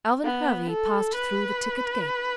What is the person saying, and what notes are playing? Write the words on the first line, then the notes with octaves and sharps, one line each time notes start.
Alvan Hervey passed through the ticket gate.
B3
A4
B4